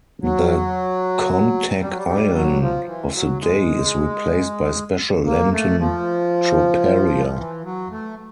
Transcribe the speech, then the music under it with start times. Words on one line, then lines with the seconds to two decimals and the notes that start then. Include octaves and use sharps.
The Kontakion of the Day is replaced by special Lenten troparia.
0.22 F#3
1.81 G3
1.90 F#3
1.97 G3
2.08 G3
2.34 F#3
2.61 F3
2.88 E3
3.14 F#3
3.40 G#3
5.26 A#3
5.52 A3
5.79 F3
7.39 E3
7.64 F#3
7.91 A3